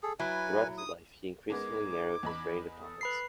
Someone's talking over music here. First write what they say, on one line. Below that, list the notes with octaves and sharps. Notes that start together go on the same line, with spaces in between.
Throughout his life, he increasingly narrowed his range of topics.
G#4 A4
F#3 E4 B4 G#5
D#6
G#3 B3 D#4 A#4 D6 G#6
E2 D#5 B5
A4 D#6
B4 B5 C7